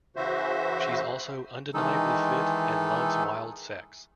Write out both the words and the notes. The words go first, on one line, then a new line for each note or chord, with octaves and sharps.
She's also undeniably fit and loves wild sex.
C#3 E3 F#4 C5 E5
D#3 E3 G#3 D#4 A4